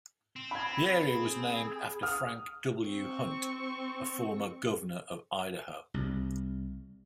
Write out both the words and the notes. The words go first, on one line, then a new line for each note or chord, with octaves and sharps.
The area was named after Frank W. Hunt, a former Governor of Idaho.
C4
B5 G#6
G#4
D#6 F6
C4 C#6
C2